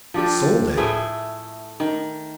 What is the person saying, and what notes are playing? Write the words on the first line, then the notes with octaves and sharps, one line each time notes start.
Sold it!
F3 D4 G4 A4
A2 A3 E4 G#4
D#3